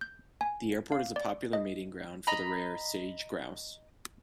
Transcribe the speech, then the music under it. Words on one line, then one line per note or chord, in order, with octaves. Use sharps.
The airport is a popular mating ground for the rare Sage Grouse.
G6
G#5
F5
D5
D#5
D#5 A#5 B5